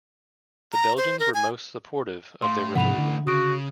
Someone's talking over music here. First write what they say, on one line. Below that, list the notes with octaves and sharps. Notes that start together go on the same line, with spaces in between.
The Belgians were most supportive of their removal.
A#5
C5
A#4
G#5
A2 F5 C6
G#2 C3 E3 F3 A3 F#5 B5 F7
D3
C#3 F#4 D#6 D7